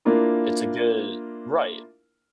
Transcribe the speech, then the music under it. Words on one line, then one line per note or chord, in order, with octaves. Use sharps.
it's a good right.
A#3 D4 E4 F4 A#4